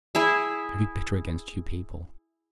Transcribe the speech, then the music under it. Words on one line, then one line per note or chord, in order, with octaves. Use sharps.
He's very bitter against you people.
E4 G#4 E5